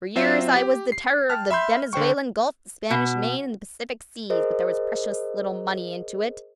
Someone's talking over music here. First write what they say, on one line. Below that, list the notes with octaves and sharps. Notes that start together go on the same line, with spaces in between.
For years I was the terror of the Venezuelan Gulf, the Spanish Main, an' the Pacific seas, but there was precious little money into it.
F#3 C4 F4 C5 E5
G4
C7
G5 A5 F6
E5 B5 C6 G6
D3 C5 G5 C#6
B2
G#4 A#4 C5 D#5